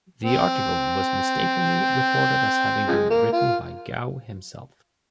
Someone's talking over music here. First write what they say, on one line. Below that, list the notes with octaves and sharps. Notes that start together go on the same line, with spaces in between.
The article was mistakenly reported as having been written by Gou himself.
C4
C#3 F3 G#3
A#3
F4